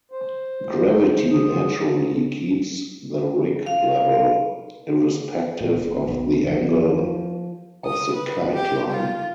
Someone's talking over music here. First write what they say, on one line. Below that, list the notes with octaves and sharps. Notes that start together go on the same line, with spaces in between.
Gravity naturally keeps the rig level, irrespective of the angle of the kite line.
C5
G#4
F5
A#2
E1
B1
F2
F2
F3
D#6
B4
G4
F4